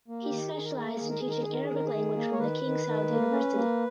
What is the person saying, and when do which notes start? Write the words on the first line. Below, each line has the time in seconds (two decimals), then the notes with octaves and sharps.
He specialized in teaching Arabic language from the King Saud University.
0.08 A#3
0.23 G4
0.31 D#3
0.53 D#3 G#4
0.64 A#4
0.76 A#3 G#4
0.87 A#4
0.97 D#3 G#4
1.09 A#4
1.20 D#3 G#4
1.31 A#4
1.41 G#4
1.47 D#3
1.53 A#4
1.63 G#4
1.70 D#3 A#4
1.85 G#4
1.92 D#3
2.16 A#3
2.32 C#5
2.39 D#3 B4
2.63 D#3
2.86 D#3
3.09 A#3
3.31 C#4
3.55 A#3